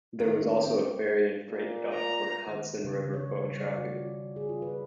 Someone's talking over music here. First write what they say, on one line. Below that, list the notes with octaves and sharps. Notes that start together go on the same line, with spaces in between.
There was also a ferry and freight dock for Hudson River boat traffic.
D#3 C#4
C4 G4
D6 A6 C#7
A#2
A#5
D#3
C#3
C#5
G3
D5
F#4
F4
G#4
F4
B4